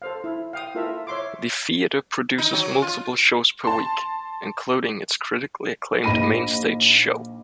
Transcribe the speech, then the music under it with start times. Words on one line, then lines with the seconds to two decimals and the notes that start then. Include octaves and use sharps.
The theater produces multiple shows per week including its critically acclaimed mainstage show.
0.02 A4 C5 F5
0.24 E4
0.53 F5 G5 D#6
0.75 E4 F4 A4 A#4 E5
1.07 C#5 E5 C6 D6
2.38 D#4
2.53 F#3
2.82 F4
3.64 A5 C6
6.04 A#1 D#4 B5 A#6 D#7